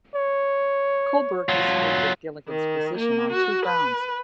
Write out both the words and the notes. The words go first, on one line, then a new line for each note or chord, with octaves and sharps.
Kohlberg disagreed with Gilligan's position on two grounds.
C#5
F#3 F4
D#3
A#3
F#4
B4